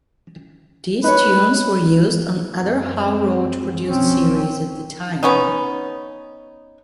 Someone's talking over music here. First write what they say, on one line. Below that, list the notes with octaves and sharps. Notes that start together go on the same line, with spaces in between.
These tunes were used on other Hal Roach produced series at the time.
D#4 B4 C#5
F#2 C4
B1 F3 C4 C#4
B3 C#4 D#4